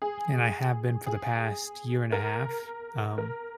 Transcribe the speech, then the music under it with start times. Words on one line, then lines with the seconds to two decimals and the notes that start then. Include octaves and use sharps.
and I have been for the past year and a half, um,
0.02 G#4
1.06 G#4
2.12 A#4
3.18 A#4